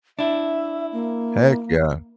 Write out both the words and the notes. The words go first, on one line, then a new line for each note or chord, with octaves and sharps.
Heck yeah.
D4 E4 E5
A#3